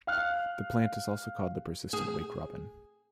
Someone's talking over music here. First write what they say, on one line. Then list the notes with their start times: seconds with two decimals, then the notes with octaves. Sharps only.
The plant is also called the persistent wakerobin.
0.07 F5 F6 F#6
1.93 G#4